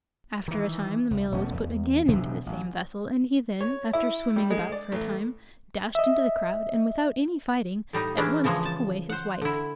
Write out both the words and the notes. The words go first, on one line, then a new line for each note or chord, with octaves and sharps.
After a time the male was put again into the same vessel; and he then, after swimming about for a time, dashed into the crowd, and without any fighting at once took away his wife.
D#3 E3
C2
E1 B2 A3 C#4
E2
A1 B2 D3 D4
A1
C#5
E4
G3
G#3
D5
A1
D#5 E5
A2 G3 D#4
E3 G#3 C#4 D4
C#3 E3 F3 G#3 A#3
A5
C5 F#5
D3 E4